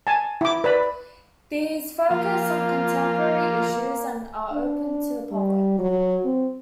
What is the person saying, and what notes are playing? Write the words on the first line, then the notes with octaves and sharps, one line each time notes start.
These focus on contemporary issues and are open to the public.
G#5 A5
E4 D6
B4 D5 B5
F3 A#3 F4
D4
G3
F#3
C4